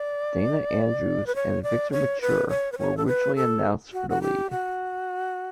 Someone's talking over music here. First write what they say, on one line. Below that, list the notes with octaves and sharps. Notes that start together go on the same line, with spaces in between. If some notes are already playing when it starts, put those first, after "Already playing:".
Dana Andrews and Victor Mature were originally announced for the lead.
Already playing: D5
B4
C#5
D5
C#5
B4
C#5
B4
C#5
A4
B4
A4
F#4
F#4
G4
F#4